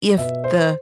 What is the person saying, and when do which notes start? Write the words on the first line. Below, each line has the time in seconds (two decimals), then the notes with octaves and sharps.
If the
0.18 B2 B3 E5
0.44 C5